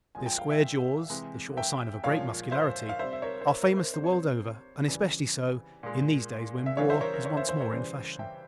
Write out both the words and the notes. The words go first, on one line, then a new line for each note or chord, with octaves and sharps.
Their square jaws--the sure sign of great muscularity--are famous the world over and especially so in these days when war is once more in fashion.
A#2 F3 G#3 G#5
G5
F5
E5 G5
C3 E3 G#3
E5 G5
A#2 F3 G#3 C#5 F5
C5 E5
F5
C3 G3 C5 E5
E5
A#4 C#5
C5
A#4 C#5
A#4
C5
C3 G3 C5
C#5
C5
C#3 E3 G3
A#2 G#3
E5
C#3 E3 G3 C#5 F5
C5 E5
A#4 C#5
A#4
A#4 C#5
C5 E5
C5 E5
A#4 C#5
C#3 E3 G3 C5
E5 G5